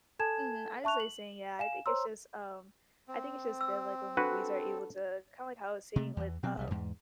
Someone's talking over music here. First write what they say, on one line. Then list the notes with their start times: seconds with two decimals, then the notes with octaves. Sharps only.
Mhm. I was like saying, yeah, I think it's just, um I think it's just good, like, when movies are able to kinda like how I was saying with, um,
0.19 A4 G#5 A5 G#6 E7
0.84 E5 A5 C#6 F#6 F7
1.00 F#7
1.59 F5 G#5 E7
1.86 C5 C#5 A#5 C6 E6
3.08 C4
3.61 E6
4.17 D4 F#4 A4 B4
5.96 C3 A3
6.17 E2 E3
6.43 B2 F#3 C4
6.57 B1 C3 G3
6.71 E2 G#2